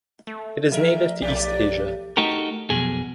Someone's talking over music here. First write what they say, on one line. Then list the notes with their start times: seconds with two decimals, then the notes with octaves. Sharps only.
It is native to East Asia.
0.27 A3
0.72 F3 F#3 A#4 E5
1.22 B1 A3 G4 D5
2.17 A3 D#4 F#4 G4 A#4
2.70 B1 F2 B2 G#4